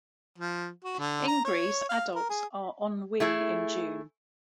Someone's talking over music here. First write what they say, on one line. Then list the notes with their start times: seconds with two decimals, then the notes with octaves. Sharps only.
In Greece, adults are on wing in June.
0.38 F3
0.84 F#4
0.99 D3
1.28 A#5
1.45 C#5
1.89 F5
2.15 A#4
2.29 G#4
3.20 A3 E4 G#4